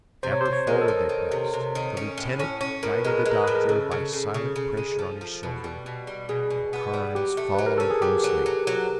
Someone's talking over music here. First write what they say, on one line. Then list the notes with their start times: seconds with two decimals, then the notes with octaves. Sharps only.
Ever forward they pressed, the lieutenant guiding the doctor by silent pressure on his shoulder and Carnes following closely.
0.23 C3 C5
0.32 C#5
0.41 C5
0.46 C3
0.53 C#5
0.67 G#3 A#4
0.81 A4
0.88 D#3
1.09 D#3
1.32 C3
1.54 C3
1.75 D#3
1.97 C#4
2.18 A2
2.39 C#4
2.61 C#4
2.83 A2 A#4
2.95 B4
3.05 G#3 A#4
3.19 B4
3.26 G#3
3.31 A#4
3.44 A2 B4
3.55 A#4
3.69 C#3 A4
3.91 C#3
4.13 C#3
4.34 C#3
4.56 C#3
4.77 G#3
4.99 F3
5.21 F3
5.43 B2
5.64 G3
5.86 B2
6.07 G3
6.29 B2 G#4
6.50 B2
6.73 B3
6.94 G3
7.15 F#3 G4
7.37 A3
7.54 F#3 B4
7.66 A#4
7.78 C#4 A4
7.91 G#4
8.02 F#3 G4
8.24 F#3
8.46 F#3
8.67 F#3